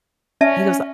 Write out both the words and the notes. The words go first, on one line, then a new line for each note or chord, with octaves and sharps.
he goes, uh
C#4 D5 E5 A5